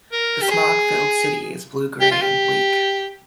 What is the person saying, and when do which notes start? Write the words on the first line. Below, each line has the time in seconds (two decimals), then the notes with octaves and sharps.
The smog filled city is blue-grey and bleak.
0.12 A#4
0.42 G4
0.51 G#4
2.01 G4
2.11 F4
2.22 G4